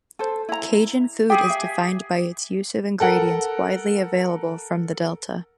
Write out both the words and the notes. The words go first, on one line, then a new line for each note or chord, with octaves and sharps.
Cajun food is defined by its use of ingredients widely available from the delta.
A4 C5
E4 A#5
G4 G#4 G5
E5
A4 A#4 F#5